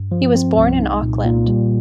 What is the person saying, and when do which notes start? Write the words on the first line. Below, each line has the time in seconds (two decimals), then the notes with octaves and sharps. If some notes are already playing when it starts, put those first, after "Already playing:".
He was born in Auckland.
Already playing: G2
0.12 F3
0.35 C4
0.57 C2
0.80 D#4
1.03 A#2
1.25 A#2
1.48 G3